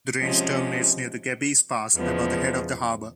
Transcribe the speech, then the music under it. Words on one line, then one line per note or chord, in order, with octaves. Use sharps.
The range terminates near Gebbies Pass above the head of the harbour.
C3 F3 G#3 C#4
E2 C#3 F3 G#3 B3